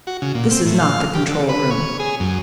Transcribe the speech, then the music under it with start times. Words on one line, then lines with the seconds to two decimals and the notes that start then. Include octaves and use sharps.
"This is not the control room."
0.07 F#4
0.22 C#3
0.35 A#2
0.51 C4
0.66 A2
0.80 F5
1.15 G4
1.28 D3
1.49 B4
1.71 C#5
2.00 G#4
2.20 F#2